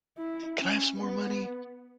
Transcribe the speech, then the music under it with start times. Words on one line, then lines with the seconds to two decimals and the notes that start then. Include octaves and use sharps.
can I have some more money?"
0.18 E4
0.58 C#4
0.96 B3